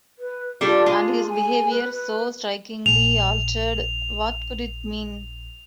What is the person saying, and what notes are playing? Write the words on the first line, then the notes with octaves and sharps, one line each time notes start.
And his behaviour, so strikingly altered — what could it mean?
B4
G3 D4 F4 A4
G#3
G#5
B4
B4
A#1 F7